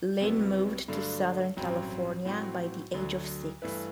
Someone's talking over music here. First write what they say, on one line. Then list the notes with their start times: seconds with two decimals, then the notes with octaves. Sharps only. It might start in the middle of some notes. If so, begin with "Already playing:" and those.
Lin moved to Southern California by the age of six.
0.20 C2 C3 F#3 B3 E4
0.88 G2 D3 F#3 A3 D4
1.57 A1 G2 F#3 C4
2.25 A2 F#3 C4 F#4
2.94 D2 D3 F#3
3.62 G2 E3 A3 E4 B4